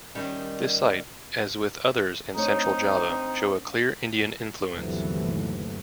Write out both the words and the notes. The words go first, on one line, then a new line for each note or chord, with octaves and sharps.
This site, as with others in central Java, show a clear Indian influence.
D#3 G3 C#4
A3 C4 D4 D#4 C#5
G1 D#2 C3 E3 F#3 A3